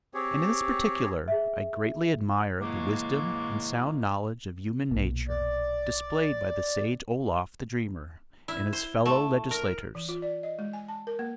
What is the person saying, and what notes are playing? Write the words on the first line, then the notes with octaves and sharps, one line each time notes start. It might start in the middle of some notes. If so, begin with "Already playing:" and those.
And in this particular I greatly admire the wisdom and sound knowledge of human nature displayed by the sage Oloffe the Dreamer and his fellow legislators.
C4 G4 G#4 C#5
G#4 E5
A2 C#3 E3 F#3 G#3 A#3
B1 A#2
D5
E4
C5
A3
A#4
E3
F4
D5
D#5
G#3
G#5
A5
A#4
A#3